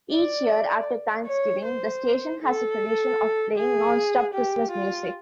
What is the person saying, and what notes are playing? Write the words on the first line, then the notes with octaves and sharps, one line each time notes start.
Each year after Thanksgiving, the station has a tradition of playing "Non-Stop Christmas Music".
D5
C#5
C5
A4
G#4
G4
F4